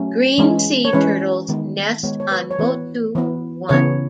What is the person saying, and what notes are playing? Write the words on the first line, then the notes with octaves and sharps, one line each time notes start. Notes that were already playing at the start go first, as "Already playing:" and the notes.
Green sea turtles nest on Motu One.
Already playing: F#3 A3 C#4
E3 G#3 C#4
C#5
E3 G#3 C#4 B4
D#3 G#3 B3
D#3 G#3 B3 C#5
C#5
B4
C#5
E3 B3 B4
E3 B3
C#3 E3 B3 C#5